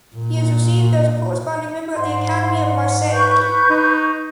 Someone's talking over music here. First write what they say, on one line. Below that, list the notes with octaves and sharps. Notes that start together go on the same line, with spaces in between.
His is received as a corresponding member at the Academy of Marseille.
A#2
G#2 C6
B4 C#6 G6
D#4